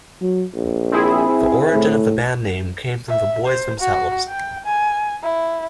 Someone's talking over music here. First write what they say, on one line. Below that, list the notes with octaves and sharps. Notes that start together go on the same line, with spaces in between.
The origin of the band name came from the boys themselves.
F#3
A#1
C4 E4 G#4
A2
E5
C5
F#4
G5
G#5
E4